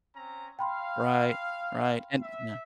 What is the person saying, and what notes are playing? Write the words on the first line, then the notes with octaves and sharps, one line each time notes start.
Right, right, and Yeah.
C4 C#4 A#5
F5 G5 B5 C6
E5